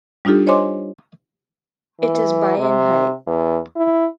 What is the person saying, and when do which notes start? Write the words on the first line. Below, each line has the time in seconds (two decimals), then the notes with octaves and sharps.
It is by and high.
0.25 G3 D4 D#4 F4 G4 A4
0.47 C5 C#5 D#5 G#5 C6 D6
2.00 E3
2.58 C3
3.27 E2
3.76 E4